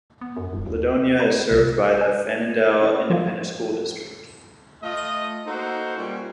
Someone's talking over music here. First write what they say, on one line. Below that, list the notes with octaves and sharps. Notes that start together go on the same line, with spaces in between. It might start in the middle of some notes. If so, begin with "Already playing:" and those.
Ladonia is served by the Fannindel Independent School District.
B3
F#2
D#1
D#2
B4 F5 A#5 B5 F#6
C2 C3
G#5 F#6
C#4 E4 B4 D5
F3 F4 F#4 D#5 F5
A3 F4 D#5
A#3 D#4 F#4 A4 C5
A#2 G3 C#4